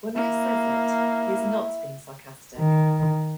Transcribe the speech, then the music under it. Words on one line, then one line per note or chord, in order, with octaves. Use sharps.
When Moose says it, he is not being sarcastic.
A#3 E4
D#3